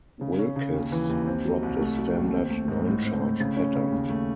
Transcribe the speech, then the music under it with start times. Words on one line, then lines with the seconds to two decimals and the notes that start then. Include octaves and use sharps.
"Wilkes" dropped a standard nine-charge pattern.
0.21 C#3
0.39 C#4
0.56 C#3
0.74 D#2
0.92 E3
1.09 D#2
1.27 C4
1.45 F#3
1.63 C2
1.80 A3
1.98 F#3
2.15 D#2
2.34 C4
2.50 A3
2.68 G#2
2.87 A2
3.04 C4
3.22 A2
3.40 C#3
3.57 C#4
3.75 C#3
3.92 D#2
4.10 A3